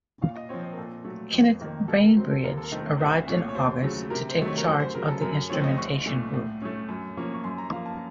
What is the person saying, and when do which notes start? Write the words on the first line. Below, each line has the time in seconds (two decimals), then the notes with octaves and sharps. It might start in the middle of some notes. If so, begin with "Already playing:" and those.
Kenneth Bainbridge arrived in August to take charge of the Instrumentation Group.
0.21 A#2 F5
0.36 D#5
0.49 F3 C4 C#5
0.63 C5
0.73 A#4
0.78 A#2 A4
1.05 F#3 A3
1.33 F2 C5
1.61 D#3 A#3
1.88 C3 A4
2.02 A#4
2.16 F#3 C5
2.20 C4
2.31 A4
2.44 D#2 A#4
2.58 A4
2.63 A#4
2.72 D#3 A3 C4
2.81 A#4
2.99 C2 C5
3.27 A#2 A3 C#5
3.49 C#5
3.55 D#2 C5
3.83 C#3 F#3 A3
4.10 C3 A#4
4.29 C5
4.38 D#3 F#3 A3
4.48 C#5
4.58 A#4
4.66 F#2 C5
4.80 C5
4.95 C#3 F#3 A#4
5.08 A4
5.21 F#2 A#4
5.50 F3 A3 C4 C#5
5.64 D#5
5.78 C2 C#6
6.06 A#2 A3
6.34 A2
6.62 A3 C#4
6.89 F#2
7.17 F3 A#3 C#4
7.34 C#6
7.44 F#2 C6
7.58 A#5
7.72 F3 A#3 F5
7.86 A5